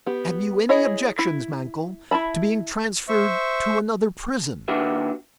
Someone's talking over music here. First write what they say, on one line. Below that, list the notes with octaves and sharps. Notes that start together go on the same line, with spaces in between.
"Have you any objection, Mankell, to being transferred to another prison?"
B3 G4
E4 G#4 C#5 D#5
E4
E4 E5 A5 B5
C5 E5 C#6
A#2 D#3 D4 F#4 B4 E5